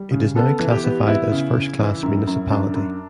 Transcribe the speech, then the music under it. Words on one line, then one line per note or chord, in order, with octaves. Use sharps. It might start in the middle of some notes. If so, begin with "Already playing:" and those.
It is now classified as first class municipality.
Already playing: G3
C#3
B3 A4
E3
G4
B3
B3 E4
C#3
C#3
E3
F#2
F#2
F#2 D4
F#2